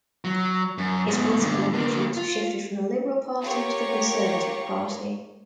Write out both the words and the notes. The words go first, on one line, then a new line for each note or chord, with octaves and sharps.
His political allegiance shifted from the Liberal Party to the Conservative Party.
F#3
F#2
G#2 B2
G2 D3
D3 A#3
F4
F4 G4 A#4 C#5 F#5 C#6